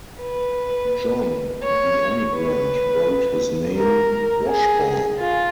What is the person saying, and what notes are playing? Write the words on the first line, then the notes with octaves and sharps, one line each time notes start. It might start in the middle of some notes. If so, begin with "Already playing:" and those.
John the emigrant wrote his name "Washborn".
B4
C#5
B4
A#4
G#4
F4